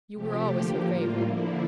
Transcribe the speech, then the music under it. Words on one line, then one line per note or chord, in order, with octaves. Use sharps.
You were always her favourite.
C3 F3 A3 G4
D3 F3 A#3 G4
A2 G3 A#3 F4
D3 F3 A#3 E4